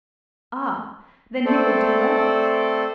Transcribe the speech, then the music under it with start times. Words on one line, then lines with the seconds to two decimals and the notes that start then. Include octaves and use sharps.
"Ah! then he will do well."
1.45 A3 C4 A4 C5 D5